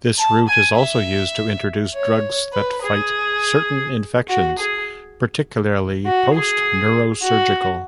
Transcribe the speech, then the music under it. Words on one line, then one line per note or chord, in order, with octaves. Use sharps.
This route is also used to introduce drugs that fight certain infections, particularly post-neurosurgical.
A5
G#5
E5
C#5
B4
G#4
F#4
G#4
F#4
G#4
F#4